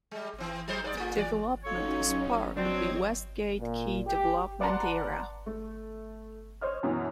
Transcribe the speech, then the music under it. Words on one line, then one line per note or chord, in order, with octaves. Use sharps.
The development is part of the "Westgate Key Development Area".
G3 G#3
E3 C4
F#3 G#3 C5
G#2 B4 D5
A3 F4
E3 D5
F#3 C#4 D#4 F4 A4 C#5
F#3 C4 D4 C#5 D#5 G#6
A#2
G4
B4 D5 F#5 A5 A#5 C6
A3
C5 C#5 D#5 F6
F#2 B2 E3